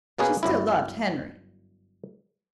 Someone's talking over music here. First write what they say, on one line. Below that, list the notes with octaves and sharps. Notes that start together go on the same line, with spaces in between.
She still loved Henry.
B2 A#3 C#4 G#4 B4
G1 F#2 E4